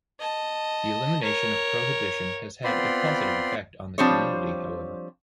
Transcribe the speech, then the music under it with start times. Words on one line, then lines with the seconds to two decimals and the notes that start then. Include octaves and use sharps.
The elimination of prohibition has had a positive effect on the community, however.
0.19 D#5 A5
1.23 A#4 C#5
2.64 B3 C4 F4 D5 B5 C6
3.98 F3 G3 C4 D4 C5 C#5